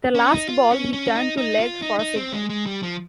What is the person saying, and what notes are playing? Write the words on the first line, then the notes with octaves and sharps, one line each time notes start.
The last ball he turned to leg for a single.
C#4
D#4
F4
C#4
C#4
D#4
D#4
F4
D#4
D#4
C4
G#3
G#3
G3
F3